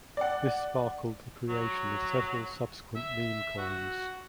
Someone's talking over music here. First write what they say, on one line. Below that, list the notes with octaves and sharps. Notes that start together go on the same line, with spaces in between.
This sparkled the creation of several subsequent meme coins.
D5 F#5
F#3
E5
F#4